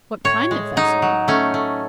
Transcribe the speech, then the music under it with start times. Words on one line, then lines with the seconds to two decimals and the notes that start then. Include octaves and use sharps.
What kind of vessel?
0.24 A2 C#5
0.51 G#3
0.77 F#3 D#4
1.02 F#3
1.28 A3 C#4
1.54 A3